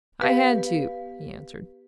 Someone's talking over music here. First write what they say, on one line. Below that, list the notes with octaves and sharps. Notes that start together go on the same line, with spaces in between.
"I had to," he answered.
B3 G4 B4 F5